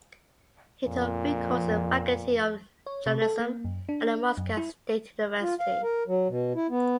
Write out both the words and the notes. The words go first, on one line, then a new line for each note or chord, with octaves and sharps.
He took three courses Faculty of Journalism at the Moscow State University.
F2 A#2
C#5
C3
A4
A#3
F#2
D4
F#2
E4
F4
F5
A#4
F#3
B2
E4
B3